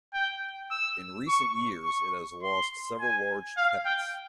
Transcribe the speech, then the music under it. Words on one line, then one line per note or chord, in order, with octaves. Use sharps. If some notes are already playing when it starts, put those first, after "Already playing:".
In recent years it has lost several large tenants.
G5
E6
C#6
C#6
C6
G#5
F5
G5